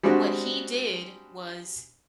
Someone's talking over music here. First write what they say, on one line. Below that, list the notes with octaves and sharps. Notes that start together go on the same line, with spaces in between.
what he did was
G3 G#3 C4 D4 F#4